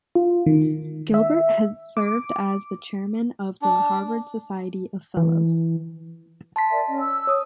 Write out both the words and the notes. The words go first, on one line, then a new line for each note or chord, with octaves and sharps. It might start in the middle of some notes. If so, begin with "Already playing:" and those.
Gilbert has served as the chairman of the Harvard Society of Fellows.
F4
D#3
E5
D6
D4
E3
A5 C6 B6
A#4 D5 E5
C#4 D#5
E6
C#5 D#6